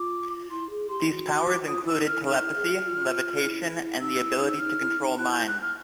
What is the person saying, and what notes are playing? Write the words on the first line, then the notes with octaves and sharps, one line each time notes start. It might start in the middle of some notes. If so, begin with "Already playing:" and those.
These powers included telepathy, levitation, and the ability to control minds.
Already playing: F4 D6
E4 C6
G#4
G4 C6
F#4
D6
F4 D#6
E4 E6
D#4
E4 F6
D#4 F6
E4
G#4
F#4
F4
E4
D#4 E6
E4
D#4
E6
D#4 F6
E4
D#4
E4 F#6
G6
F#6
F6